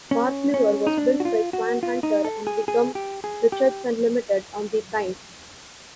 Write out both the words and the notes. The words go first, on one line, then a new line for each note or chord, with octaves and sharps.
"Barfleur" was built by Swan Hunter and Wigham Richardson Limited on the Tyne.
C#4
C#4
D#4
D4
F#4
F4
F#4
F4
D#4
A4
G#4
G#4
G4
G#4
G4